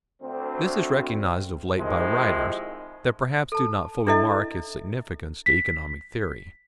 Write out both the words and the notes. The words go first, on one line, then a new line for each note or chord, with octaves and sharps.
This is recognized of late by writers that perhaps do not fully mark its significance to economic theory.
D2 C4
C3 D#3 F3 G#3 C4 E4
A4 A5
D4 E4 A4 D#5 E5
B6